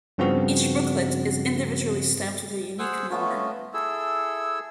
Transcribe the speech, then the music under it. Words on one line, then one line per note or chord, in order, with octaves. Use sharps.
Each booklet is individually stamped with a unique number.
G2 C#3 F3 B3 C4 F#4
G#4 C5 F#5 E6
A3 B3 C#4 F4
E4 G#4 A4 E6